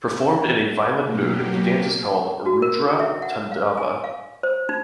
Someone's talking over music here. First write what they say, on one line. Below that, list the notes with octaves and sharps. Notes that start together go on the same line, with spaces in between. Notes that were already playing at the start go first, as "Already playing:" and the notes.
Performed in a violent mood, the dance is called "Rudra Tandava".
B2 F#3 A#3 G4
F#4
A#4
E5
F#5
F5
G#5
F5
C5
D#4